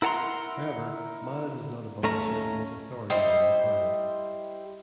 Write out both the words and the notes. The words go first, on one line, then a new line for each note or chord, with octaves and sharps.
However, Miles is not above asserting his authority when required.
E4 A#4 F#5 A5 A#5 C6
D#2 A3 C#4 A#5
G3 E4 C5 D#5